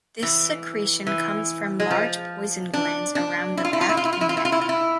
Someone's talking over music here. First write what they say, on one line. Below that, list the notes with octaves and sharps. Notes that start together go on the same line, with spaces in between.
This secretion comes from large poison glands around the back and neck.
E3
E3
G#3
F3
D4
D4
E4
F4
E4
F4
E4
F4
E4
F4
E4
F4
E4
F4
E4
F4
E4